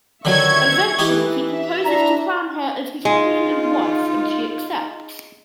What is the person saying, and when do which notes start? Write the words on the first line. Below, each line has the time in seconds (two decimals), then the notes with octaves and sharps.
Eventually he proposes to crown her as his queen and wife, and she accepts.
0.25 D3 D#3 F#3 E5 C#6 G#6
0.99 E3 D#4 G4
1.44 E5
1.86 D4 E4 A#5
3.05 G#3 D#4 F4